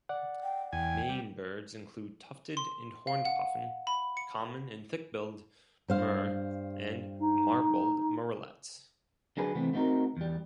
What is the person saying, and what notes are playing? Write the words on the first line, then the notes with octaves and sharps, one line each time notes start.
Maine birds include tufted and horned puffin, common and thick-billed murre, and marbled murrelets.
D5 F#5
G5
E2 G5 G#5
G3
C6
F5
F#5
B5
C#7
G2 C5 F5
D#4
D3 F#3 D4 G#4 B4
C3 E3 A3 B3 C4
A3 B3 C4 D#4 F#4 A#4
E2 G3